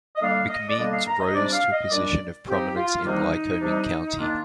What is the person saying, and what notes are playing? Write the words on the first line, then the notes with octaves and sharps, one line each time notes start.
McMeens rose to a position of prominence in Lycoming County.
D#5
D3 G3 A#3 D4 F5
D#5
D5
D3 G3 A#3 D4 D#5
F5
A#5
D#5
C3 G3 D4 D5
F5
D#5
A#2 G3 D4 D5
F3 C4 D#4 G4
F4
C3 D#3 G3 A#3 D4 D#4
C3 G3 D4
D#3 A#3 D4 F4